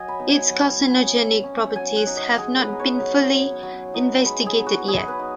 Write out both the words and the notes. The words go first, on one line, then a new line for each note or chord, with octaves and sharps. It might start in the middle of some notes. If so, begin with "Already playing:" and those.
Its carcinogenic properties have not been fully investigated yet.
Already playing: F#3 D#5 G#5
B5
B3 D#4
G#5
F#3
C#4
F#3
C#4
F#3 G#5
F#5
D#4
D#5
G#3 G#4
B4
B3 D#4
C#5
F#3
C#4
F#3
B3 D#4
G#3 B5
G#4
B3 D#4
F#4
F#3 G#4
B4
B3 D#4